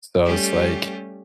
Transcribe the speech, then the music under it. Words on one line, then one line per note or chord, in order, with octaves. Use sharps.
So, it's, like,
G3 A3 C#4 G4